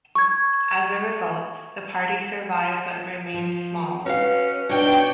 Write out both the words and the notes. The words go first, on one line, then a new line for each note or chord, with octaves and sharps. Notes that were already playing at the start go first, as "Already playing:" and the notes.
As a result, the party survived but remained small.
C#6 G#6
F3
C#4 F#4 B4 F5
B2 D4 D#4 F#4 C#5 G5